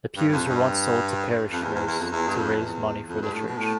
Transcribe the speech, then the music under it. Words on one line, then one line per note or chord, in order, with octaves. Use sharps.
The pews were once sold to parishioners to raise money for the church.
G2
G2
F2
G2
F2
E2
E2
E2
F2
E2
G2
F2
E2
F2
G2
A2
B2
A2